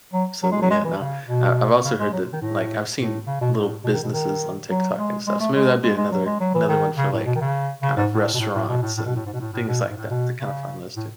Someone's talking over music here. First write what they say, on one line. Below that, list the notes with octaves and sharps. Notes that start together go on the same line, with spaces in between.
So, yeah, no. Uh, I've also heard that, like I've seen little businesses on TikTok and stuff, so, maybe that'd be another another one for, like, kind of restaurants and things like that to kind of find those too.
F#3
F#3
G#3
F#3
G#3
E3
C#3
B2
C#3
G#3
F#3
D#3
A2
A2
C#3
B2
A2
B2
D#3
B2
D#3
F#3
G#3
G#3
A3
G#3
G#3
G#3
F#3
G#3
F#3
E3
D#3
C#3
A2
B2
D#3
C#3
C#3
G#2
A2
B2
A2
A2
B2
A2
A2
B2
A2
G#2
B2
A2
A2
B2
A2
G#2
A2
B2
C#3
A2